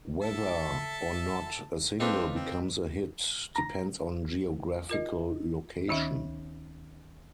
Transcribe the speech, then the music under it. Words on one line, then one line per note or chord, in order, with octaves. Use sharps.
Whether or not a single becomes a hit depends on geographical location.
A4 E5 A5
F3 C4 D4 D#4 A4 B4 D#5
C4
A#5
F4 A#4 D#5
D2 D#3 C#4 D#4 E5